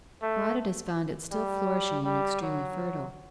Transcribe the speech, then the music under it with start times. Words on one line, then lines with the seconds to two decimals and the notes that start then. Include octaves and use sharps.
Herodotus found it still flourishing and extremely fertile.
0.22 A3
1.32 G3
2.05 G3
2.42 F#3